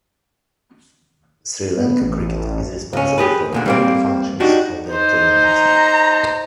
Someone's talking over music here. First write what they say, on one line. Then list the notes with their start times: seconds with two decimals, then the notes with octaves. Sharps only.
Sri Lanka Cricket is responsible for all the functions of the tournament.
1.77 B3
2.02 A1
2.93 C#2 C#4
3.18 G4 G#4 B4
3.52 D2 A#2 D3
3.66 G3 A#3 C4
4.40 D4 D#4 F#4 G4
4.88 D#4 C5
5.45 A#5